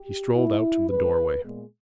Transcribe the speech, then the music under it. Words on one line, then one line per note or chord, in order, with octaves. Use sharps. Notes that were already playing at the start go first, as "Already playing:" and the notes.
He strolled out to the doorway.
Already playing: G4
A#2 G#3 B3 E4
E2 C#3 G#3 C#4 B4
A#2 G#3 B3